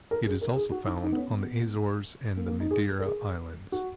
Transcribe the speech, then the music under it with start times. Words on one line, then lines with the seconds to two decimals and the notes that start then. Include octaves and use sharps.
It is also found on the Azores and the Madeira Islands.
0.11 A#4
0.26 G#4
0.41 A#4
0.56 G#4
0.71 F#4
0.87 E4
1.02 D#4
1.12 B3
1.17 C#4
1.32 B3
2.37 A#3
2.48 A#3
2.60 D#4
2.71 G#4
3.00 A#4
3.06 G#4
3.72 F#4